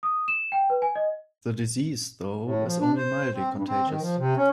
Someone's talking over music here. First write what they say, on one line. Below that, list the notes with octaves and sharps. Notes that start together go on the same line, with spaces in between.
The disease, though, is only mildly contagious.
D#6
E7
G5
B4
G#5
D#5
A2
F3
D4
C5
C4
G2
C4
D#3
F3
C3
C#4